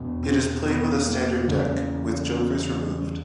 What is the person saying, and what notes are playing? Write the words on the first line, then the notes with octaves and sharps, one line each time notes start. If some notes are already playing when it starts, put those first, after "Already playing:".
It is played with a standard deck, with jokers removed.
Already playing: E2 B2
C4
B3
A#3
E2 C#3